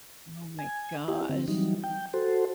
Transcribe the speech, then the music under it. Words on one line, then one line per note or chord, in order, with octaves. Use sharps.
Oh my gosh.
G#5
E4 G4
D3 C4
E3 F#3 G3 D#4
G5
F#4 A4 C5